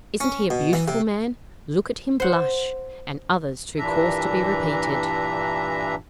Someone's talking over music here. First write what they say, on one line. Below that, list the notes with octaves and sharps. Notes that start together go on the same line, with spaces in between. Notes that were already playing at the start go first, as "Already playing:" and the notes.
"Isn't he a beautiful man?" "Look at him blush;" and others too coarse to be repeated.
C#4
B2
E3
C3
C5 F#5
G2 A#2 E3 D4 E5 A#5